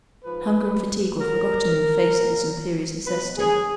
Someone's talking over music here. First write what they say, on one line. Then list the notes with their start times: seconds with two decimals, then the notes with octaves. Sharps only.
Hunger and fatigue were forgotten in the face of this imperious necessity.
0.24 G#2 F3 B4
1.17 A2 F#3 A#4
2.12 A#2 F#3
3.06 B2 F#3 B4
3.38 G#4